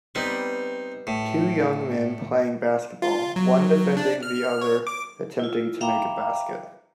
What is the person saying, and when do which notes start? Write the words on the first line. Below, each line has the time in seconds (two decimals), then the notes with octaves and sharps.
Two young men playing basketball, one defending the other attempting to make a basket.
0.15 G3 B3 C4 D#4 B4
1.07 A2
3.02 F4
3.36 F#3
3.97 D4
4.23 F6
4.61 C#5
4.87 D6
5.39 E4 F4
5.81 E5 F5 G5 A#5 B5 D6